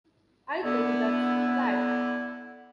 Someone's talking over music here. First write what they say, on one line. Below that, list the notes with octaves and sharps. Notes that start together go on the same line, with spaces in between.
I think that's too bad.
D3 B3 E4